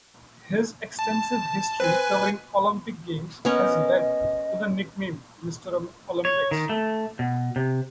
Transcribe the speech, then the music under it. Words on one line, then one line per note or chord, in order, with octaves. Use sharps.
His extensive history covering Olympic Games has led to the nickname "Mr Olympics".
A5
C4 B4 G#5
B2
B3 C#4 A#4 D#5
C#5
D#3
A3
B2
C3